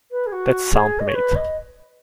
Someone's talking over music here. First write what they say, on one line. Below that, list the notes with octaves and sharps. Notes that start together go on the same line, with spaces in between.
That's sound mate.
B4
G#4
F#4
G#4
D#5
C#5
B4
D#5